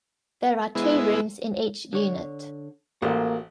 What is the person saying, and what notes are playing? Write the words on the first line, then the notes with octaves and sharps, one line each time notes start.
There are two rooms in each unit.
G#3 B3 E4
D3 C#5
A1 A#3 F#4 G4 C5